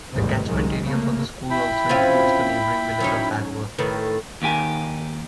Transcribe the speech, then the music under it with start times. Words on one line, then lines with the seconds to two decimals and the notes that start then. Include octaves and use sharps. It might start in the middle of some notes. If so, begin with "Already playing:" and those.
The catchment area for the school also includes the neighbouring village of Bagworth.
0.12 A1 E2 G#2 C3 D#3 G3
0.44 C2 D#3 F#3 G#3
0.85 C#3 A3 A#3
1.50 E4 G5 B5
1.89 C4 C#4 F4
3.00 F#3 C#4 D#4
3.78 A2 D#3 B4
4.42 D#2 D#3 G4 G#5